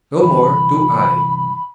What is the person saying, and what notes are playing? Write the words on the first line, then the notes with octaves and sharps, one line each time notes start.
"No more do I!"
G1 C2 E3 B5